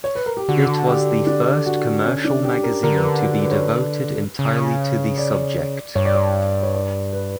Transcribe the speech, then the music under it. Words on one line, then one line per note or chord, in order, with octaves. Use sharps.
It was the first commercial magazine to be devoted entirely to the subject.
C#5
B4
A#4
G4
D3 F#4
G4
D4
F#4
C#4
D4
G4
A#4
D3 A#4
B4
A#4
F#4
B4
C#5
B4
C#3
D5
G2 C#5
D5
C#5
C#5
D5
B4